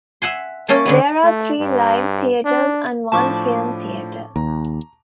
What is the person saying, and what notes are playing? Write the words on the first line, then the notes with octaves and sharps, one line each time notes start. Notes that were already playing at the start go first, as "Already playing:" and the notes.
There are three live theaters and one film theater.
E5 F#5 G#5 C6
A3 A#3 C#4 A4 A#4 C#5
D3 G#3 B3
A3
G2
D4
A2 F3 D4 A5 C#6 D6
D#2 A#5